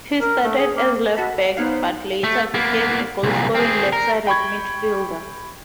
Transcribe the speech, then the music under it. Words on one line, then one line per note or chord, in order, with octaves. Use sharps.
He started as a left-back but later became a goal-scoring left-sided midfielder.
A#4
A3
G#4
A#3
F#4 A4 B5
B3 D#4 C5 C#5 F5 F#6
A3
A#3 B3
C2 A#2
C4 G#4
A#4
G5 B5 C#6 G#6